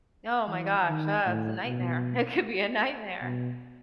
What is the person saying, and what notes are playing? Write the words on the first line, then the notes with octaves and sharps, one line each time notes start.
Oh my gosh, ugh, it's a nightmare, it could be a nightmare.
E3
D#3
A2
B2
B2